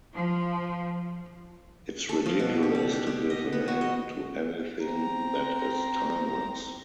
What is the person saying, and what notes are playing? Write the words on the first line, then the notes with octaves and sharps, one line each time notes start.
It's ridiculous to give a name to anything that is timeless.
F3
A4
F3
B2
G4
D5
G4
G4
D#5
B3
F#4
D#5
C4 A#5